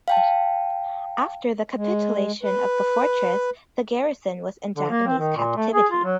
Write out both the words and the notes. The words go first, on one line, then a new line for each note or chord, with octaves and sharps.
After the capitulation of the fortress the garrison was in Japanese captivity.
F5 G5 A5
G#3
B4
D3
A#3
C4
D#3
A#2
A3
G#4
F4
F#3